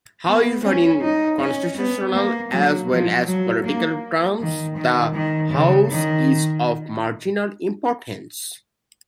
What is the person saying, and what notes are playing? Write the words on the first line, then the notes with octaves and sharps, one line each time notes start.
However, in constitutional as well as political terms, the House is of marginal importance.
B3
C#4
D#4
C#4
B3
A#3
F#3
F3
F#3
A#3
D#3
D#3
D#3
C#3
D#3